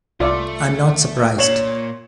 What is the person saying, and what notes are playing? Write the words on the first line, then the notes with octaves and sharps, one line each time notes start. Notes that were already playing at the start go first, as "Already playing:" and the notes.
I’m not surprised!
C2 A3 F4 D5 E5
A#2 C#5 E7 F#7